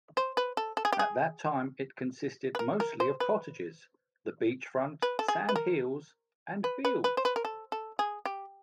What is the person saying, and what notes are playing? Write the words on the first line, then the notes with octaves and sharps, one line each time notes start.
At that time it consisted mostly of cottages, the beach front, sand-hills and fields.
C5
B4
A4
A4
G#4
G4
G#4
B4
A#4
A#4
C5
B4
B4
A4
G#4
B4
A#4
B4
B4
B4
C5
B4
A#4
A4
A4
G#4
G4